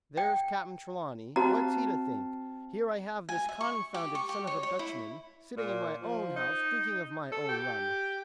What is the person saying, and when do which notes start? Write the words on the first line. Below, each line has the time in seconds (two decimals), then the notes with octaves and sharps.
There's Cap'n Trelawney--what's he to think? Here I have this confounded son of a Dutchman sitting in my own house drinking of my own rum!
0.17 G5
1.36 C4 F#4 F5 A5 A#5
3.29 G#5
3.49 E5
3.61 C#6
3.94 G4
4.15 C#6
4.29 G4
4.47 C#5
4.63 C#5
4.79 E4
5.57 A#2
6.01 F3
6.36 D#4
7.32 A4
7.49 G4